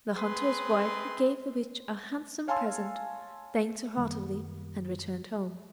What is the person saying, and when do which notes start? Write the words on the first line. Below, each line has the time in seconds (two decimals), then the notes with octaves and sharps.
The hunter's wife gave the witch a handsome present, thanked her heartily, and returned home.
0.16 C4 G#4 B4 C6
2.47 C#5 F5 G#5 A5 C6 E6
3.97 F#2 D#3 G3 A#3